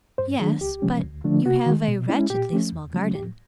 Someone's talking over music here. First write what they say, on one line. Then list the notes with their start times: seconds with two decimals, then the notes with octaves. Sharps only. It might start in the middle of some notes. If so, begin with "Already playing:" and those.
"Yes; but you have a wretchedly small garden."
0.18 G2 C5
0.40 D#3 F#3 A3 D4 G#4
0.61 C#2 G4
0.82 C3 F3 G#3 C#4
1.03 D2
1.24 D3 F3 A3 D4
1.45 C3 F#4
1.66 D#3 G#3
1.88 B2
2.09 G#3 C#4 E4
2.30 A#2 G4
2.51 F3 A3 C#4
2.72 E2
2.93 C#3 F#3 A3 C#4
3.14 A2 G4